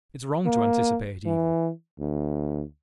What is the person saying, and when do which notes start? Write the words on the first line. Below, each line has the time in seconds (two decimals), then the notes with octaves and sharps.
'It's wrong to anticipate evil.
0.46 A#3
1.26 E3
1.99 D2